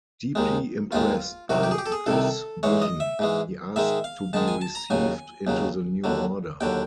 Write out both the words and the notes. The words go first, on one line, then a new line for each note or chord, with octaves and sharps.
Deeply impressed by this vision, he asked to be received into the new order.
D#2 D#3 G#3
D#2 D#3 G#3 F4
C2 C3 D#3 F#4
G4
G#4
G4
A4
G#4
C2 C3 D#3 A4
G#2 E3 G#3 C#5
D#5
E5
G#2 E3 G#3
G#2 D#3 G#3 E5
F5
G#2 D#3 G#3 A5
G#5
A5
A#5
D#2 C#3 F#3 G#5
D#2 C#3 F#3
D#2 D3 F#3
D#2 D3 F#3 G5